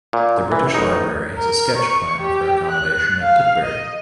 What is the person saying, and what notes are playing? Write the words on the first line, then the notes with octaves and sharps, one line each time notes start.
The British Library has a sketch plan of her accommodation at Tutbury.
A#2
E3
A1 D#4
A#4
C#6
G4
F#6
F5
D#5